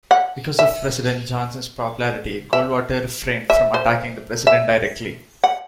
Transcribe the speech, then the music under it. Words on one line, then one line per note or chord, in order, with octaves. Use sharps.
Because of President Johnson's popularity, Goldwater refrained from attacking the president directly.
F#5
E5
E5
E5
C5
E5
F#5